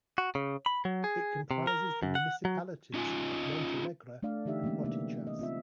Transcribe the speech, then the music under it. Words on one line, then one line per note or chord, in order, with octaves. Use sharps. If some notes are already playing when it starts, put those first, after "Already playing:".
It comprises the municipalities of Montalegre and Boticas.
F#4
C#3
B5
F#3
G#4
C3
A#4
F#2
F#5
F#3
C#4 D#4 F4 D#5 G#5
A3 D4 D5 F5
D3 E3 D#4 G4 E5
E3 G#3 A#3 B3 C#4
C3 A#3 B3 E5
D#5
C4 F4 E5